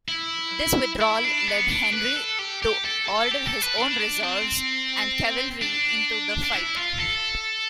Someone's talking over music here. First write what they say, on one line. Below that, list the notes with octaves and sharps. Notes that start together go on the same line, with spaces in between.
This withdrawal led Henry to order his own reserves and cavalry into the fight.
E4
E4
D4
B3
D4
B4
A4
G4
G4
A4
A4
G4
A4
B4
D4
C4
D4
D4
E4
F4
A4